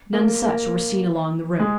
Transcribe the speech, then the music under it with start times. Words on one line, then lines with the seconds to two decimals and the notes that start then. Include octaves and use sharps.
None such were seen along the route.
0.13 A#3
0.42 A#3
1.59 G#3